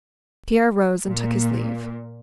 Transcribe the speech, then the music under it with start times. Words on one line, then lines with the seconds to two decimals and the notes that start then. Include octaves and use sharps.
Pierre rose and took his leave.
1.05 A#2